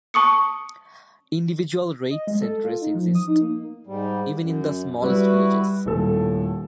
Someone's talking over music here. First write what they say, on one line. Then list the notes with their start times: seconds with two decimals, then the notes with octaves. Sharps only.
Individual rate centres exist even in the smallest villages.
0.14 A5 C#6 D#6 C#7
2.11 D#5
2.27 G#3
2.41 A4
2.64 F4
2.81 D#4
2.94 F3
3.15 D#6
3.28 D#4
3.41 A#3
3.87 G#2 G3
4.39 F#2
5.02 G3 E4 F#4 B4
5.86 D#1 A2 A4